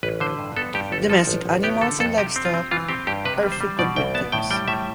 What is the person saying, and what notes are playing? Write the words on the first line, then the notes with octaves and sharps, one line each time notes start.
Domestic animals and livestock are frequent victims.
A1 B4
D3 C5
G2
B3 A4
G2 G4
G1 A4
F3 A4
A1
A1
B3 G4
D3 A4
F2 A4
C3 G4
C4
F4
C4
E3 F4
C4 G4
G2 G4
C3 B4
G3
C5
G3
B2 D5
C2 G5
B3 A5
A2 G5
G3 G5
A2 E5